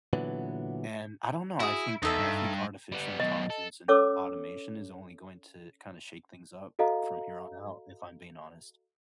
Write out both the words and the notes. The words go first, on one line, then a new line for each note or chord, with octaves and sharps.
and I don't know, I think I think artificial intelligence and automation is only going to kinda shake things up from here on out, if I'm being honest.
A#2 D3 E3 F#3 B3
E4 F#4 G#4
E2 D#4 A4 E5
G2
G3 B3
F#2 B2 D#5
A4
C#4 A4 C#5 D6 E6
F#4 A4 D#5 F5 A#5